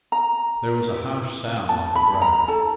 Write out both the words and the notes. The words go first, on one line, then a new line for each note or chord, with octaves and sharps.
There was a harsh sound like a groan.
A#5
E4 G4 B4
A5
B5
B5
A#5
E4 A4 A5